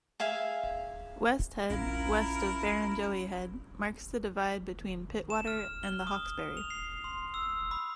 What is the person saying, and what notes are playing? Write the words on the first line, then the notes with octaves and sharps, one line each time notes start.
West Head, west of Barrenjoey Head, marks the divide between Pittwater and the Hawkesbury.
G#4 E5 F5 G#5
A#1 C#4 E4 F4 A#4 F5
E7
F6
G7
D#6
F7
C7
C6
E6
B5